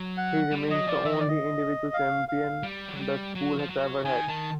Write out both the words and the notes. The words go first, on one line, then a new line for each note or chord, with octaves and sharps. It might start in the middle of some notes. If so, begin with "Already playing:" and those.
He remains the only individual champion the school has ever had.
Already playing: F#3
F#5
G3
F#3 D#5
F3 D5
E3 E5
D#5
D5
D#5
F5
F5
G3
F#3
G3
F#3
F3
F#3
D#3 G#5
D#3 A5